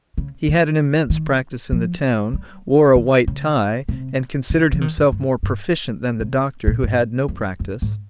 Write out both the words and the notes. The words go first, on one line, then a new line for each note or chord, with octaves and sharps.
He had an immense practice in the town, wore a white tie, and considered himself more proficient than the doctor, who had no practice.
C#3
D#3
D#3
F3
G3
D#3
C#3
C3
C#3
F3
D#3
G#2
G2
G2
C3
A#2
G2
F2
F2
G#2